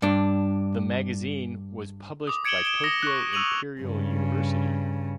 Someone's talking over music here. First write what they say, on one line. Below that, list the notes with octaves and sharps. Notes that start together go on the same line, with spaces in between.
The magazine was published by Tokyo Imperial University.
G2 D4
D6 D#6
G#6 C#7 D7 E7 F#7 G7
D7 E7 G7
D#6 A#6
C#6 F#6
D#6 E6 D#7 F7 F#7
G2 C#3